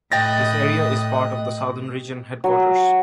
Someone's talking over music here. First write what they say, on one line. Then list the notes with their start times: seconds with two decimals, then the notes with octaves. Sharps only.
This area is part of the Southern Region Headquarters.
0.12 A2 D#5 G5 D#6 F#6 A6 A#6
2.44 F#3